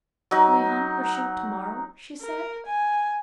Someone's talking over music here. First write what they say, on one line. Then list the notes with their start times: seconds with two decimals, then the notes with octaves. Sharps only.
"Do we hunt or shoot to-morrow?" she said.
0.31 F#3 D#4
2.21 A#4
2.66 G#5